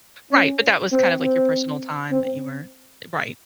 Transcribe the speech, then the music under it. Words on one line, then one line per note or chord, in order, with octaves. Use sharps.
Right. But that was kind of like your personal time that you were Eh, right.
C#4
C4
C4
C4